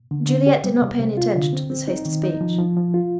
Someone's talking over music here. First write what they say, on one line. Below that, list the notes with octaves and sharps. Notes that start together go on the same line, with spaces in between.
Juliet did not pay attention to this hasty speech.
D3
D3
G4
G3
C3
C3
F4
D3
C4
C4
D#4
D#3
D#4
F3
F3
F3
F4